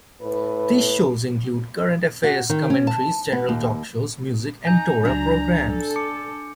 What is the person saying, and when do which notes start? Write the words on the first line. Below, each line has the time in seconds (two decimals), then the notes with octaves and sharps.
These shows include current affairs commentaries, general talk shows, music, and Torah programs.
0.21 A2 B4
2.24 F#4
2.50 D#3
2.70 C#4
2.87 A5
3.32 B3
3.49 D#2
4.65 D#4 G#5 A#5 G6
5.05 C#2 F#3 D4 A#5
5.63 A4
5.96 A5 D6 C#7